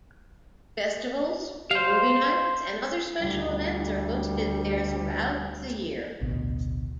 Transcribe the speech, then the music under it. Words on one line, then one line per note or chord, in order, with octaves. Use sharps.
Festivals, free movie nights and other special events are hosted there throughout the year.
C5 F5
D2 G3
A1 D2 B2